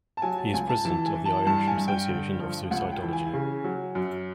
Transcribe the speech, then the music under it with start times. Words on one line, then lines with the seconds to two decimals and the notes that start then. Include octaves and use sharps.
He is president of the Irish Association of Suicidology.
0.17 A5
0.22 F#3 G#5
0.38 A5
0.54 C#2 G#5
0.69 A5
0.85 E3 A5
1.06 G#5
1.15 E3
1.26 A5
1.47 G2 A5
1.68 G#5
1.78 G2
1.88 G5
2.09 D3
2.40 F3
2.71 C#2 F#5
2.92 G5
3.02 E3
3.13 G#5
3.33 C#3
3.64 F#3
3.95 F#2